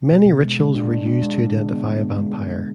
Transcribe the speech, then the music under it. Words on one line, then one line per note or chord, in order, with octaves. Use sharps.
Many rituals were used to identify a vampire.
B2
B2
G#3
G#3
D4
G#3
D4
G#3
G#3
D3
B3
G#3
B3
G#3
G#3
G#3